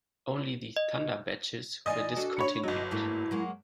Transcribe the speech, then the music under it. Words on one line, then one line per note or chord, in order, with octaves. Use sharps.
Only the "Thunder" badges were discontinued.
D#5
E3 D#4 F4 D5 D#5 G#5
D4 F#4 A4
C#5 B5 C#7
G1 F#3 D#5
G#2 A3 A#3 E4
F#3 G#3 A#3